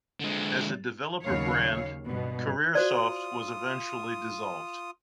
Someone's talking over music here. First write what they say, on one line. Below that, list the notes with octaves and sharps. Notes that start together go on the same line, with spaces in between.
As a developer brand, Career Soft was eventually dissolved.
D3 G#3
D#2 C#3 F#3 C#5 F5
G2 B2
F4 F#4 C5 D5 D#6